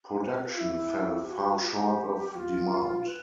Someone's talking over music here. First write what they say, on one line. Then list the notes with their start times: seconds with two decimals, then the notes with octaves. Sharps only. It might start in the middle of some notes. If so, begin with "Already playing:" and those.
Production fell far short of demand.
0.21 C5
0.34 B4
0.45 F4
0.57 E4
1.21 G4
1.28 F#4
1.37 G4
1.46 F#4
1.55 F4
1.64 G4
2.36 F4
3.07 B4